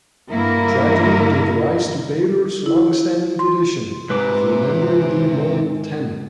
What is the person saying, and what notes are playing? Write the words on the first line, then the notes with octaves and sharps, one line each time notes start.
The tragedy gave rise to Baylor's longstanding tradition of remembering The Immortal Ten.
G2 D3 A#3 E4 A#4
E4
C6
G#2 C3 B4 D6